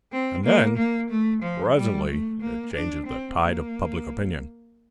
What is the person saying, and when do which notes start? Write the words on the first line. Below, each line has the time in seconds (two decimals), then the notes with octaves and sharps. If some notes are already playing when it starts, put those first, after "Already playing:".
And then, presently, it changes the tide of public opinion.
0.12 C4
0.44 A#3
0.77 A#3
1.10 A3
1.42 F3
1.76 G3
2.09 A3
2.41 A#3
2.74 D4
3.07 C4
3.40 A#3